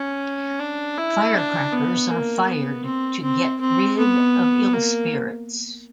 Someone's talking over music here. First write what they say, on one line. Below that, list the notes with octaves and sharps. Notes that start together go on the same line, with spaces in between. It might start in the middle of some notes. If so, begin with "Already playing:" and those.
Firecrackers are fired to get rid of ill spirits.
Already playing: C#4
D4
E4
D4
B3
A#3
B3
C4
C4
C4
B3
A#3